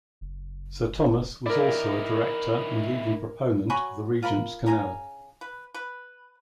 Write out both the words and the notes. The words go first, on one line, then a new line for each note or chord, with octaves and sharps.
Sir Thomas was also a Director and leading proponent of the Regent's Canal.
F#1
D#3 E4 A#4 D5
F#3 G#5 B5 C#6
F4 A#4 B5
C#3 F4 G#5 A#5
B4
B4